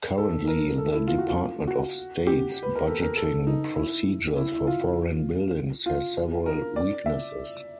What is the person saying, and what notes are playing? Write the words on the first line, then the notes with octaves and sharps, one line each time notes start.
Currently, the Department of State's budgeting procedures for foreign buildings has several weaknesses.
A4
A4
A#4
A4
E4
F4
F#4
F4
F#4
G4
B4
A#4
A4
A#4
A4
D#4
E4
E4
E4
F4
F4
A#4
D5
E5